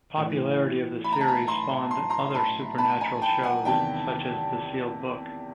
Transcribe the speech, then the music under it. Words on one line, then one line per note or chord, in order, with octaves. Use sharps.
The popularity of the series spawned other supernatural shows, such as "The Sealed Book".
A2 E3
B5
A#5
A5
G#5 A#5
A#5 C6
C6
A#5 C6
C6
A5 B5
A5 B5
G#5 A#5
G5 A5
F#5 G#5
E2 C3 D#3 G5 A5